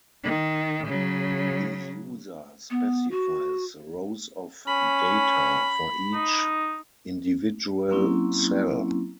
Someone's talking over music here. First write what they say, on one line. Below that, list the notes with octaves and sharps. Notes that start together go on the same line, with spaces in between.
The user specifies rows of data for each individual cell.
D#3
C#3 F#3
B3
F#4
C#4 B5
D#4
F#3 A#3 C4 C#4 E4